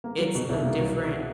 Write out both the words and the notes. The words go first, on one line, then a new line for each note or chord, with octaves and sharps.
it's a different
A#3
F#3
B2
C2
A#3
F#3